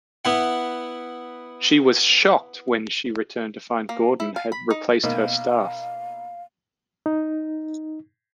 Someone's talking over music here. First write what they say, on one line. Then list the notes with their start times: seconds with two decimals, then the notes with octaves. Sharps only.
She was shocked when she returned to find Gordon had replaced her staff.
0.25 B3 E4 F#5
3.89 A#3
4.20 E4
4.36 F5
4.52 B5
4.71 D#4
5.04 B2 A#3 D#4 F5
7.06 D#4